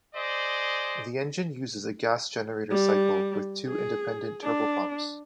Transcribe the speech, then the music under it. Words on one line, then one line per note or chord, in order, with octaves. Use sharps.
The engine uses a gas generator cycle with two independent turbopumps.
G#4 C5 D5 D#5
G3
G#4
D4